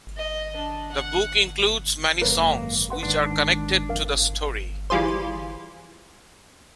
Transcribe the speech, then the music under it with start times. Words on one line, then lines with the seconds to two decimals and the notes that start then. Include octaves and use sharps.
The book includes many songs which are connected to the story.
0.17 D#5
0.56 D4
0.92 F#5
2.21 G#1 F#2 A#3 C#4 A#4 B4 C#5
2.90 B4 F#5 C6
3.03 D1 G#2 D#3 D4
3.89 G#1 F2 A#4 F5
4.90 E3 G3 F4 G#4 C5